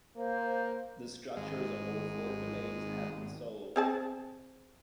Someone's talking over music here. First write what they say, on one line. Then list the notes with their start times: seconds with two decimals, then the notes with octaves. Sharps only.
The structures of all four domains have been solved.
0.16 A#3 C5
1.37 G#1 G#2 G#3
3.76 C4 G#4 A5